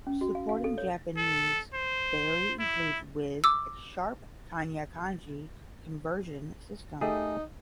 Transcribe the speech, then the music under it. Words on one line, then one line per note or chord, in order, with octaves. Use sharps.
Supporting Japanese, Berry includes Whiz, a sharp Kana-Kanji conversion system.
C#4
F#4
F5
F5
A4
C#5
A4
C5
E4
D6 E6
A3 D#4 G4 G#4